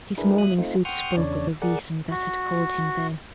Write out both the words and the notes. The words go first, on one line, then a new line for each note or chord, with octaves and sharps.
His mourning suit spoke of the reason that had called him there.
D4 E4 G#4 A#4 B4
F#3 E5 D#6 F#6
A3 C4 D#4 F4
F#5 G5 C6 C#6 D#6 F6
E2 C#3 D4 C#5 D5
G#4 A#4 D5 F#5
F#4